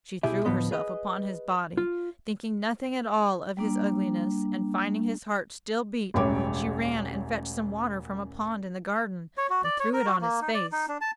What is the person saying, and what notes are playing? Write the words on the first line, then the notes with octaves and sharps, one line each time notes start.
She threw herself upon his body, thinking nothing at all of his ugliness; and finding his heart still beat, she ran and fetched some water from a pond in the garden, and threw it on his face.
C2 B2 E4 G4 G#4 E5
D2 A2 F3 B3 D#5
G#4 B4 D#5
F4
G3 A#3 D4
E1 A1 F#2 G3 C#5 D6
C#5
F#4
D5
C#5
A#4
F#4
A#3
D#4
D5
D#4
D4
A5